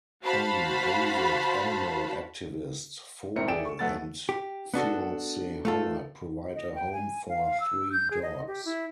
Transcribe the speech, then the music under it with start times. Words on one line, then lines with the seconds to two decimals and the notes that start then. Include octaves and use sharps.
An avid animal activist, Vogel and fiancee Howard provide a home for three dogs.
0.24 F#4 C5 F5 A5 B5
3.36 G#1 C3 C4 E4 A#4 C#7
3.48 E4 G#4 D5 G5 D7 E7
3.65 C#6
3.79 F#2 A3 B3 E6 A6
4.29 G4
4.74 B3 D4 F#4 A4
5.65 A3 F4 A4
6.55 D#5
6.75 G5
6.93 G#5
7.29 F5
7.60 E6
7.92 G6
8.11 G#4
8.22 D#5
8.47 G4
8.65 E4